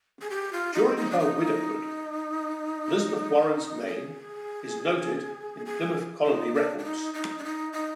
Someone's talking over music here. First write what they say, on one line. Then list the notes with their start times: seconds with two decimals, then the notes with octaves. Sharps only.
During her widowhood, Elizabeth Warren's name is noted in Plymouth Colony records.
0.22 G#4
0.30 G4
0.53 F4
0.74 D#4
0.97 D#4
1.11 D4
1.20 D#4
3.81 A#4
3.87 G#4
5.66 G#4
6.25 D#4
6.55 D4
6.79 D4
6.84 D#4
7.14 D#4
7.38 D4
7.44 D#4
7.73 D#4